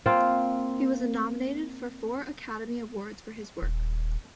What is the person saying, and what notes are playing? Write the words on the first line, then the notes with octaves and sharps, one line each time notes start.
He was nominated for four Academy Awards for his work.
A#3 C4 F4
D#1